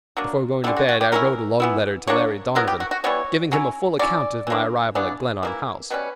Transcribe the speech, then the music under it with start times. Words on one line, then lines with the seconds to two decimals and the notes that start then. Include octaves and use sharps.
Before going to bed I wrote a long letter to Larry Donovan, giving him a full account of my arrival at Glenarm House.
0.17 F#3 A#3 D4
0.64 D3 G3 C#4 E4
0.77 F#4
0.89 F#4
1.01 G4
1.12 F#3 C#4 E4 A#4
1.60 E3 B3 E4
2.07 F#3 A#3 D4 C#5
2.55 F#3 B3 E4 A#4
2.68 G4
2.80 F#4
2.91 F#4
3.04 E3 G3 B3 C#5
3.52 F#3 C#4 E4
3.99 F#3 C#4 E4 D5
4.47 E3 A#3 D4
4.95 C#3 E3 B3 D4
5.43 E3 A#3 E4
5.90 B2 G3 C#4 B4